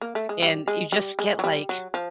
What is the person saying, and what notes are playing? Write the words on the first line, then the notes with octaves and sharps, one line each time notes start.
and you just get like,
A#3
A3
G#3
G3
G#3
G3
G#3
F#3
G3
F#3
F3